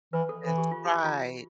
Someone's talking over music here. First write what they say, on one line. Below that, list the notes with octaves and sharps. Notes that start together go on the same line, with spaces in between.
Yes. Right.
E3 B4
A4
E3 A4
G4
F4
G4
F4